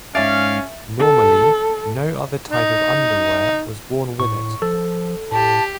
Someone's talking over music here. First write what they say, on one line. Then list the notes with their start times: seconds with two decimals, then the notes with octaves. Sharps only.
Normally, no other type of underwear was worn with it.
0.15 G#2 C#4 D5 E5 F5 A6
1.00 A4
2.50 D#4
4.20 A2 C#6
4.62 F3 A4
5.32 A2 G4 A5